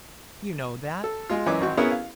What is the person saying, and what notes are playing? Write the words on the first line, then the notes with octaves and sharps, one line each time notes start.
You know that.
A4
G#3 F4
F#2 E3 C#5 D#5 D6
G#1 C4 F#4 C#6
B3 C#4 E4 G#4 A#4
F5